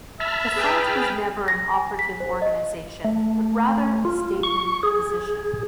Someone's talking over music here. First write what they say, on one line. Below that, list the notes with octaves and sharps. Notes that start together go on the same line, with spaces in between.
The Front was never an operative organization, but rather a statement of position.
E5 A5 B5 F6
G#4 B4 G5
A#6
G#5
B6
C5
D#5
A3
F4
C#6
G#4